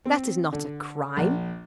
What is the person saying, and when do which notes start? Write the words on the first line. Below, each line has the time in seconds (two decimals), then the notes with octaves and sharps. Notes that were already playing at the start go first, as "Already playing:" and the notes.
That is not a crime.
0.05 C4
0.52 D3
1.17 A#1